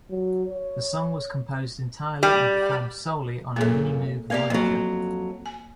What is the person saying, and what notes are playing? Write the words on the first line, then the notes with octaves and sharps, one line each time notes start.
The song was composed entirely and performed solely on a Minimoog Voyager.
F#3
C#5
G3
F#2 A#2 A#3 G#4 A4
A#3 B3 G4 A#4 D5 F5
F2 F#3 A#3
G#5